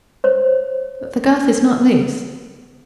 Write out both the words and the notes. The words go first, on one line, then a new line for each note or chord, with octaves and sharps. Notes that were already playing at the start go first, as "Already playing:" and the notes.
"But the girth is not loose."
C5 C#5